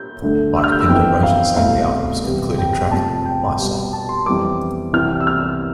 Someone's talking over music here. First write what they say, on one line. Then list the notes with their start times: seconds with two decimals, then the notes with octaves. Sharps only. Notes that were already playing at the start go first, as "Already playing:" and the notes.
Mike Pinder wrote and sang the album's concluding track "My Song".
Already playing: G6
0.22 D2 D3 A3
0.56 E6
0.64 F6
0.72 G6
0.80 E6
0.89 F2 E3 B3 G5
1.23 F5
1.56 C2 B2 A3 F5
2.24 E2 C3 G3 B3
2.58 G5
2.91 F2 C3 F3 A3 A5
3.25 G5
3.59 B2 G3 B3
3.93 A5
4.09 C6
4.26 F2 E3 G3 B3 D6
4.93 C2 C3 E3 G3 F6
5.20 E6
5.27 F6